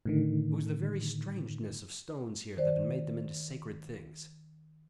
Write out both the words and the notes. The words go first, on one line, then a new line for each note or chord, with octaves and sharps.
It was the very strangeness of stones here that had made them into sacred things.
A2 D3 D#3
D#3 C5 D5